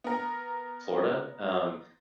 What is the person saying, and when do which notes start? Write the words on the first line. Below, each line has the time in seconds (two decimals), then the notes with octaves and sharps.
Florida, um,
0.04 B3 A#4